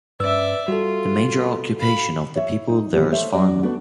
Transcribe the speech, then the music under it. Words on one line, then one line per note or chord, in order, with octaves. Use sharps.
The major occupation of the people there is Farming.
G2 C#4 B4 D5 E5 E6
G3 F4 F#4 A4
F5 B5
C#5 E5
D#4
A#2 E3 B3 G4
A3 C5 C#5 E5
F#2 B2 F#4 D5
A3 B3 D4 F#4